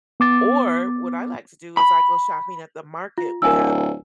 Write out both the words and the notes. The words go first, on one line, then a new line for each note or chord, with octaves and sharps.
Or what I like to do is I go shopping at the market. We have
B3 D6 A6
B5
F4
D1 A#4 G#5 E6